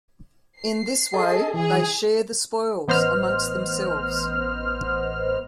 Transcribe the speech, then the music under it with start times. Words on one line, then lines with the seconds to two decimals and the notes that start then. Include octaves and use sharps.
In this way, they "share the spoils" among themselves.
0.58 C7
1.14 G#4 A4 D#5
1.54 E3 G#4
2.88 A1 B3 C5 D#5 F6